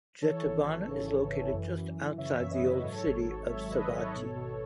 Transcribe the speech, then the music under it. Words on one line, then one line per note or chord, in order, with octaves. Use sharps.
Jetavana is located just outside the old city of Savatthi.
E3 A4 C#5
G#1
G#1
C#3
C#3
E3
F#2
F#2
F#2
C#3 C#5 E5
F#2
B4 D#5
F#3
G#2 A4 C#5
G#1
G#1
G#1 C#5 E5
G#1 B4 D#5
G#1 A4 C#5
B2
B2